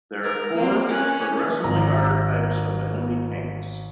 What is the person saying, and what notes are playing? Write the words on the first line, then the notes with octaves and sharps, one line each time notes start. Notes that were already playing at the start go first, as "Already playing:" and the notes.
There are four progressively harder types of enemy tanks.
A#4
A#3 C4
C#4 F#6
G#1 A#5